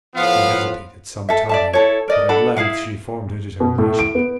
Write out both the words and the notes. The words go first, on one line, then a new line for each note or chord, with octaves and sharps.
She hesitated some time, but at length she formed her determination.
A2 F3 B3 F4 F5
A4 E5
D5 E5 A5
E4 A4 C#5
A#4 D5 D#5
D4 A4 F#5 B5
E4 G#4 F5 F#5
B2
A2
D7
B3